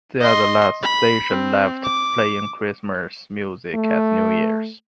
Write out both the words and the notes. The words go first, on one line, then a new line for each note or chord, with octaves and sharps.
They are the last station left playing Christmas music at New Year's.
D#5 C6
B5
C4
D6
A3